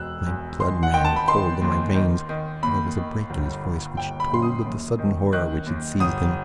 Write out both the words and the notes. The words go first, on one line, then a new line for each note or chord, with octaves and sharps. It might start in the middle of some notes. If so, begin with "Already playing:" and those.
My blood ran cold in my veins, for there was a break in his voice which told of the sudden horror which had seized him.
Already playing: E1 B2 E6 F#6
E2
D#3 C6
F#5
D#3 G5
A5
B5
D#3 C6
D#2
D#3
D#3
D#2 B5
D#3
G1
G1
G1 G5
B5
F#2 C6
D#6
D#2
D#3
D#3 F#6
D#2
G1 D#6